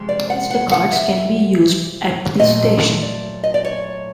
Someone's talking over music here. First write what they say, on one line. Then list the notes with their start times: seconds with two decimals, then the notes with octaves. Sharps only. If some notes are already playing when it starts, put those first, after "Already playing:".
Oyster cards can be used at this station.
Already playing: F2 C3 F3 G#3
0.09 D5
0.30 F#5
0.50 F#5
0.72 F#5
0.93 E5
2.38 A#2 F#3 A3 D#5
3.02 D5
3.44 D#5
3.54 D5
3.64 C#5